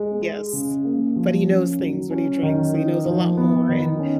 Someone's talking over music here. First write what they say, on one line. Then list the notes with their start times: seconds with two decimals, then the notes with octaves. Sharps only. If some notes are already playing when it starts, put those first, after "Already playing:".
Yes, b but he knows things when he drinks, he knows a lot more, and
Already playing: G#3
0.21 G#4
0.53 C#3
0.84 A#3
1.16 F3
1.48 C#4
1.80 F#3
2.11 C#4
2.43 D#3
2.74 D#4
3.06 F3
3.37 B3
3.69 D#3
4.00 C#4